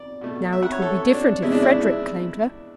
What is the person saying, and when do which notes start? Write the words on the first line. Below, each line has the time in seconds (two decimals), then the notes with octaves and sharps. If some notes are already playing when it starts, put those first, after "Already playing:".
Now it would be different if Frederick claimed her.'
Already playing: D5
0.21 B2 A3
0.53 E5
0.63 F#5
0.72 C#5
0.82 A4
1.12 D4
1.42 E2 C#3 G#3 E4
1.52 D4
1.62 E4